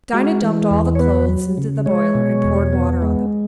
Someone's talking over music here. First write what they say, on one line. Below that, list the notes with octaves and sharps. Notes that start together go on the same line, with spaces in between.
Dinah dumped all the clothes into the boiler and poured water on them.
G#3 F#4
E3
E2
C#5
B3 B4
F#3
C#3
G#3 C#5
B2
E2
B3
G#3